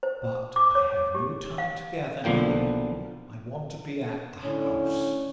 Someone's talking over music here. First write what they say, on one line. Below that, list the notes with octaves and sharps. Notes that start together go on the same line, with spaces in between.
But I have no time to gather any; I want to be at the house.
C5
D6
C#5
G4
F5
B1 D3 F3 A#3 G5
A2 D3 C#4